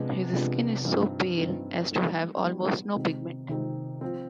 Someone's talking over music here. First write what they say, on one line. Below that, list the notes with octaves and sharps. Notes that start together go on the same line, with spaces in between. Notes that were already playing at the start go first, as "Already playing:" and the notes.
His skin is so pale as to have almost no pigment.
Already playing: C3 F3 G#3 B3 D4
C3 F3 G#3 B3 D4
G2 F3 C4 D#4
G2 F3 C4 D#4
G3 B3 D#4 G4 B4
G3 B3 D#4 G4 B4
C3 D#3 G#3 C4 D#4
C3 D#3 G#3 C4 D#4
F3 C4